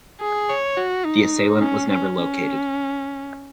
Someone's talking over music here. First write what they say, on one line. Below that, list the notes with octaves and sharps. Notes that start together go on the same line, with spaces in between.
The assailant was never located.
G#4
C#5
F#4
D#4
C#4
C#4
C#4